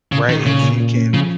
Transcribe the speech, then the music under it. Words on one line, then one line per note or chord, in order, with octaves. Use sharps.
right, if you can
A#2 C#3
D#3 C#4
A#2 C#3
A#2
A#2
C#4
C#3 F3